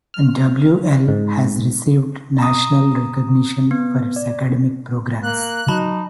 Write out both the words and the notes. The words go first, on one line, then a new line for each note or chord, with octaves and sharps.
W-L has received national recognition for its academic programs.
F6
G#2
A#5 D#6
B3
D5
A#3 F#6
F#3 D#4 A5 B5